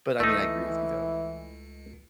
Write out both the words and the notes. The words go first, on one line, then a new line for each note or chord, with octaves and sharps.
But, I mean, I agree with you, though.
C#2 E3 A3 D#4